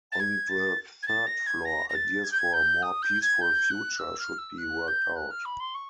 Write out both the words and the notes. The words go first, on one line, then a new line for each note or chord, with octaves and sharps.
On the third floor ideas for a more peaceful future should be worked out.
A6
G#6
A6
G#6
A6
A#6
G#6
A#6
A#6
A6
G#6
G6
G#6
G6
D#6
G6
G#6
G6
F#6
E6
F6
E6
F#6
G6
F#6
F6
B5
C6
C#6